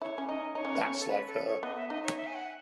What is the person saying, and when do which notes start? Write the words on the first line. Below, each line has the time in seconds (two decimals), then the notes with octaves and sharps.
That's like her.
0.01 E4 C#5
0.18 C#4
0.28 D#4 D#5
0.55 D#4 C#5
0.65 C#4
0.75 B3
0.84 C#4
1.00 A4
1.09 B4
1.27 A4
1.45 C#5
1.63 B3 D#5
1.76 E5
1.90 D#4 D#5
2.04 C#5
2.17 E5
2.27 G#5
2.35 F#5